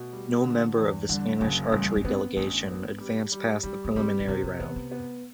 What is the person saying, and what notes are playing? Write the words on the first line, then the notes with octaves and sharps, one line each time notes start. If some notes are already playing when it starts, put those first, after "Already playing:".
No member of the Spanish archery delegation advanced past the preliminary round.
Already playing: B2 A3
G3
D3
E2
D3 G3
F#1 F#3
A1 G3
D4
B3 C4
A1 D4
B3
G3
G3
G3 D4
D4
G3 C4
C4
C3 B3
B3
A3 B3
A3
B3